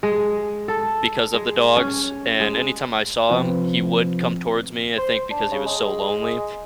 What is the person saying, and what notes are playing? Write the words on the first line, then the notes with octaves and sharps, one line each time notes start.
because of the dogs, and anytime I saw him, he would come towards me, I think, because he was so lonely,
G#3
A4
G#3
C#4
G#3
C3 F3 C4 F4 B4
C5
D4
C#3
G#3